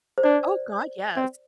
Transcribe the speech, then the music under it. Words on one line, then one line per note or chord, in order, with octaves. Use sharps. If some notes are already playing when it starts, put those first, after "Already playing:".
Oh god, yes.
C5
D4 D5
C4